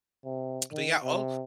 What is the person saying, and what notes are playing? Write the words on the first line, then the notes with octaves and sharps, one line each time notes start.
But, yeah, oh
C3
D#3
C3